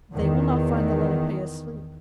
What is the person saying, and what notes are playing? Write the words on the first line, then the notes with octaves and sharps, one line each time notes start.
"They will not find the Lenape asleep."
E2 D#3